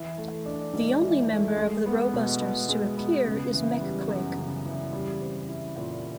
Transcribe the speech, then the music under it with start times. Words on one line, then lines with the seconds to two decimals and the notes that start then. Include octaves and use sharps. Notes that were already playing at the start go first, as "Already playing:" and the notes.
The only member of the Ro-busters to appear is Mek-Quake.
Already playing: E3
0.18 A3
0.46 D4
0.73 G#2
1.02 E3
1.30 A3
1.57 G#3
1.86 B3
2.13 B2
2.41 B2
2.69 G#3
2.98 B3
3.25 C#3
3.54 E3
3.81 G3
4.09 F#2
4.38 C#3
4.65 E3
4.93 G3
5.22 C4
5.49 E4
5.77 A#2